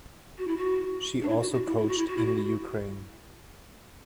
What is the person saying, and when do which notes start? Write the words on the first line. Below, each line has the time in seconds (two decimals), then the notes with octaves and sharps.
She also coached in the Ukraine.
0.38 F#4
0.47 E4
0.57 F#4
1.22 D4
1.29 E4
1.41 F#4
1.53 F#4
1.66 E4
1.78 E4
1.88 F#4
1.98 E4
2.07 F#4
2.17 E4
2.26 F#4